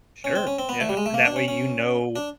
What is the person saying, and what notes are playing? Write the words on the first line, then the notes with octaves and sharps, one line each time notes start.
Sure, yeah. And that way you know
C#4
C4
C#4
C4
B3
A3
G3
G#3
A3
A#3
D4
C#4
C#4
D4